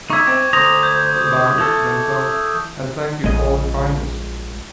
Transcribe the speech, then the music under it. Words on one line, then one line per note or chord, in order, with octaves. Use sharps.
"Good-bye, Mr. Denzil, and thank you for all your kindness."
D#4 E5 C#6 D6 G#6
C4
D2 C5 A#5 D#6
G6 G#6
E3 A4
A#1 G#3 D#5